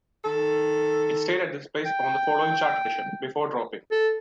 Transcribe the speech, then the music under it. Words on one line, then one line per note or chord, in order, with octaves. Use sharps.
It stayed at this place on the following chart edition, before dropping.
D#3 A4
G5
A4